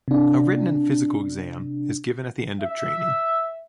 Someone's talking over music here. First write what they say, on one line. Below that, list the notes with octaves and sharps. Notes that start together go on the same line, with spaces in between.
A written and physical exam is given at the end of training.
C3 D4
E5